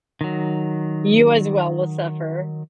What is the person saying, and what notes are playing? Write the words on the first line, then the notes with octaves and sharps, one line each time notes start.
You as well will suffer.
D#3 F#3